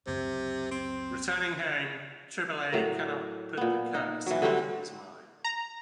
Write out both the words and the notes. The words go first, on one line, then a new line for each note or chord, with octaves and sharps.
Returning home, Triboulet cannot put the curse out of his mind.
C#2 F#2 C3
C4
A2 F#3 A#4
A#2 B3
D#4
E3 F#3
D3 F#3 G3 C4
A#5